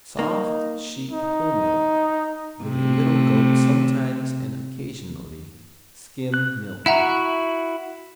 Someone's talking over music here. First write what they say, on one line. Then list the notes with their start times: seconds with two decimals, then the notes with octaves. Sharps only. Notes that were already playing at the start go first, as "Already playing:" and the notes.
Soft, sheep whole milk with a little goat sometimes and occasionally skim milk.
0.19 A#3 D#4
1.11 D#4
2.64 C3 A3
6.34 F#6
6.86 E4 F#4 E5 F#5 A#5